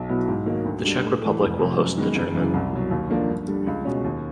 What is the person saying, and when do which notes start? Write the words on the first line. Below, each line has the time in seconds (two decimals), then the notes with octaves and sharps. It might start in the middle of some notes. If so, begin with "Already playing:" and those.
The Czech Republic will host the tournament.
Already playing: B1
0.09 B2 F#3 B3 E4
0.28 G#2
0.46 D#3 F#3 A#3 D#4
0.65 D2
0.84 D3 G3
1.03 A2
1.22 E3 A3
1.41 F1
1.59 F2 C3
1.79 F#2
1.98 D#3 G#3 B3
2.15 F#1
2.35 F#2 C#3 E3
2.54 C2
2.72 B2 F#3
2.91 D#2
3.10 D3 F3 A#3 D4
3.29 G2
3.48 D3 G3
3.67 C#2
3.85 B2 G#3 C#4
4.04 D#2